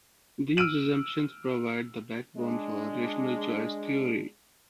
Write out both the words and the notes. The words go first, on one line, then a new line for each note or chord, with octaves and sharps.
These assumptions provide the backbone for rational choice theory.
E6 F6 D7 D#7 F#7
G#3 D4